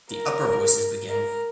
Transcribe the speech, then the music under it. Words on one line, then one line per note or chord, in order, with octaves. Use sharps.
The upper voices begin.
A#4
A#4